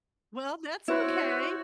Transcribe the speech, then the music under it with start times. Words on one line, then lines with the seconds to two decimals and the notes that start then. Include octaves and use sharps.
Well, that's okay.
0.88 E4 F#4 C5 C#5